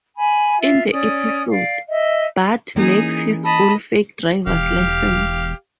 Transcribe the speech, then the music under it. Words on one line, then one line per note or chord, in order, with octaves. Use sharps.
In the episode, Bart makes his own fake driver's license.
G#5 B5
F4 E5
C#4 D5 D#6
D5 F5
D#5 E5
E3 A#3 C#4 D#4 G#4
D#5 A5 B5
E1 G4 F5